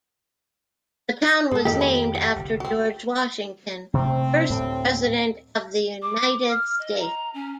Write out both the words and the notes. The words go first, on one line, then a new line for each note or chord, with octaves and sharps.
The town was named after George Washington, first President of the United States.
G2 A#2 G#3 G#4 A4
F2 A2 D#3 A#3 D#4 G4 A4 A#4
B5
F#5
G1 C2
C4 F#4
C3 A3 C4
D2 A2 G3
D6
F6
D#5
A#5
C#4